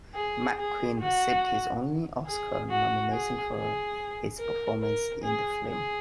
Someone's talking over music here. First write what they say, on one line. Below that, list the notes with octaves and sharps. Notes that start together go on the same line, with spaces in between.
McQueen received his only Oscar nomination for his performance in the film.
G#4
G#4
F#4
G#4
F#4
G#4
G#4
A#4
A#4
G#4
G#4